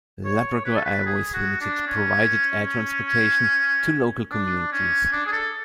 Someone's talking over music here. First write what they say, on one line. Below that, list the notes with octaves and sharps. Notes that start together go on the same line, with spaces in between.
Labrador Airways Limited provided air transportation to local communities.
C#5
B4
A4
B4
G#4
F#4
D4
C#4
D4
C#4
C#4
D4
G#4
A4